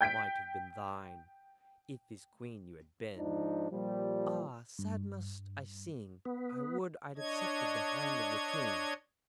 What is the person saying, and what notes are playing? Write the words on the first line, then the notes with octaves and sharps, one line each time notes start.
It might have been thine, If his Queen you had been.' 'Ah! sad must I sing! I would I'd accepted the hand of the King.'
G5 G6 B6 D7
G#2 F3 D4 D#4
A#2 F3 G3
G2
B3
D4 C#5 D#5 G#6